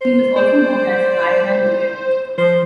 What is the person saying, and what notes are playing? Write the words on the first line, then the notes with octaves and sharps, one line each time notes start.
He was also known as Madman Liang.
C5
C5 D5
F3 C5